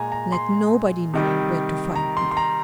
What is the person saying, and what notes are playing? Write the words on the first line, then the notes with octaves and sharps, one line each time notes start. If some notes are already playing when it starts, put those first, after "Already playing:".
"Let nobody know where to find me."
Already playing: A#2 G#3 G#5 A#5
A#5
C6
C3 D#3 G3
A#5
C6
C6
A#5